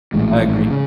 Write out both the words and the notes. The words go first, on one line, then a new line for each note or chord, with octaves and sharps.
I agree.
A#1 A2 E3 G#3
C#3